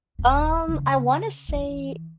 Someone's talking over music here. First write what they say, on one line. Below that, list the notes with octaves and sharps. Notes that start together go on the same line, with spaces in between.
Um, I wanna say
D#1
C#3
E3